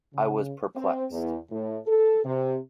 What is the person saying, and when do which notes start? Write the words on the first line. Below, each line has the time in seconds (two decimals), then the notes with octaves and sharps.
I was perplexed.
0.14 C#3
0.76 C4
1.11 E2
1.51 A2
1.87 A4
2.24 C3